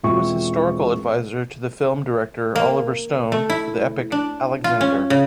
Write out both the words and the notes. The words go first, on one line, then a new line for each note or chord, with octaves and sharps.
He was historical advisor to the film director Oliver Stone for the epic "Alexander".
E1 C4 F4 E5 C#6
A#3
A3
E4
D4
F4
C#4
C#3